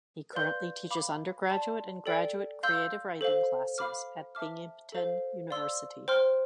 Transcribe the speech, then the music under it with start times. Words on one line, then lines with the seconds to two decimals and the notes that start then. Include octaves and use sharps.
He currently teaches undergraduate and graduate creative writing classes at Binghamton University.
0.33 B4 D5 F5 C6 G6
0.90 F5 B5 D6
1.49 D5 A5 C6
2.06 A4 D5 G5
2.63 F5 C6 E6 G6
3.21 A4 C5 F5
3.78 F5 B5 D6 F6
4.35 E5 A5 D6 F6
4.92 A4 C5 F5
5.51 D5 F5 C6 E6
6.08 C5 G5 C6 F6